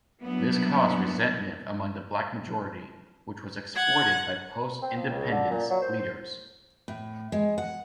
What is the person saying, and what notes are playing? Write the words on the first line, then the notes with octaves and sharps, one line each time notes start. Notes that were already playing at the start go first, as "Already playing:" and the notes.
This caused resentment among the Black majority, which was exploited by post-Independence leaders.
F#3 G3 A#3 B3 D4 E4
F#5 G#6
C4
F3
C#2
D3
A#2
F#3
C5
C5
A2
G#3
F#5